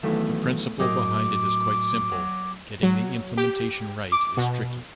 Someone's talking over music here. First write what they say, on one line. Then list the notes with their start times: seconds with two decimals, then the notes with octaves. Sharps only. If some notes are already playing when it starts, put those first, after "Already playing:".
The principle behind it is quite simple; getting the implementation right is tricky.
0.03 E2 G2 D#3 E3 F#3 A3
0.80 A2 F#3 D#4 G#4 A#4 D6
2.12 F#3
2.83 F#3
3.37 G4
4.12 D6
4.37 B2